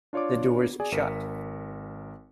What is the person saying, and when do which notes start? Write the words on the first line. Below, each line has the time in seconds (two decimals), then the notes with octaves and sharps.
The door's shut.
0.13 D4 F4 C#5 D5 D6
0.80 G#4 D5 G#5
0.92 G#1 A#4 B6 C#7